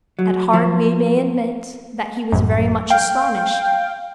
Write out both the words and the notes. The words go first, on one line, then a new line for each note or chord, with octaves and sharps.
At heart we may admit that he was very much astonished.
F#3
F3
A1 F#2
F5 G5